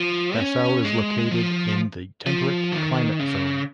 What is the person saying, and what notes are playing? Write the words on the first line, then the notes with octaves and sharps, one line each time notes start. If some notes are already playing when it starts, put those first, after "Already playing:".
Dassel is located in the temperate climate zone.
Already playing: F3
C#4
G#3
F3
F3
D#3
C#3